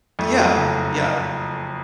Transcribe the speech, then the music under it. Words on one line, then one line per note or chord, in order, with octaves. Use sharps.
Yeah. Yeah.
F2 A3
F#3
F#1